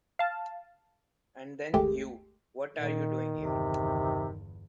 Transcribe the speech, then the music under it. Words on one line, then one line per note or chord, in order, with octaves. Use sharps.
And then, you, what are you doing here?
F5 A5
G1 D#2 G#3 A3 G4
A#2 D#3
G1 E2 C3